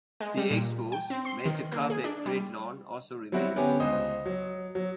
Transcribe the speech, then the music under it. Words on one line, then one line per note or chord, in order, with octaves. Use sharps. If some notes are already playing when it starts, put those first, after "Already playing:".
The expo's "Magic Carpet Great Lawn" also remains.
G#3
G3
A#2
G5
C4
C6
D#3
A#3
G#4
D4
G3
F#3 G3 C4 E4 F#4
D3 B3 C#4 G4
C#2 C5 D#5 D#6
F#3
F#3